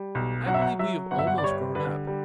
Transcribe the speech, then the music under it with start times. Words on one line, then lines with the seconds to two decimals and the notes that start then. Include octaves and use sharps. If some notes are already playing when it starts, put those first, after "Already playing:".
I believe we have almost grown up.
Already playing: G3
0.15 B1
0.46 F#3 F#5
0.54 E5
0.61 F#5
0.79 F#3 E5
1.11 G1 F#5
1.19 E5
1.27 F#5
1.38 D5
1.43 G3 C#5
1.75 D3 B4
2.07 G3